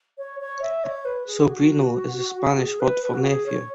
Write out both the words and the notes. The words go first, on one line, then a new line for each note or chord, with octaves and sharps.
Sobrino is the Spanish word for nephew.
C#5
C#5
E5
C#5
B4
G#4
F#4
G#4
B4
B4
F#4
G#4
C#5